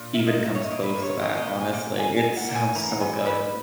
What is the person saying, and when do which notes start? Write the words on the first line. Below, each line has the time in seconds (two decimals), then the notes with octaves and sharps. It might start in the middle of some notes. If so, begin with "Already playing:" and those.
even comes close to that, honestly, it sounds so good.
Already playing: A#2
0.14 A#3 E5
0.27 D#5
0.45 A#2 E5
0.55 C#5
0.64 D#5
0.71 A#3
0.83 B4
0.96 A#2
1.02 C#5
1.21 A#3 D#5
1.29 C#5
1.37 D#5
1.47 A#2 E5
1.61 G#5
1.73 A#3 F#5
1.98 G#2 G#5
2.17 G#5
2.23 G#2
2.37 F#5
2.49 A#3
2.55 G#5
2.75 E3 A#5
2.91 F#5
3.00 G#2 G#5
3.26 G#2 B4